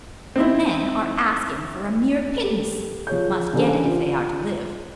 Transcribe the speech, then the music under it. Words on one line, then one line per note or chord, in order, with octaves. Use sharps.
The men are asking for a mere pittance, and must get it if they are to live.
C4 D#4 E4
G4 A4
F3 G#4 C#5 G6
C#3 E3 D4 G4 A4 C5
F4